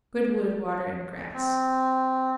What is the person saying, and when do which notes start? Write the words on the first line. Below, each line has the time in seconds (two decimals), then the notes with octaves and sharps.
Good wood, water, and grass.
1.34 C4